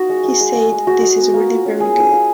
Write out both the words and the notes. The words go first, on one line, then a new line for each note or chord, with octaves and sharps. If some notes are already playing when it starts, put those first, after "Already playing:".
He said 'This is really very good.
Already playing: A#3 D#4 F#4
G#3
G#3
G#3
G#3
G#3
G#3 F#4
G#3
B3
A#3
F4
C#4
A#3 G#4
C#4
F4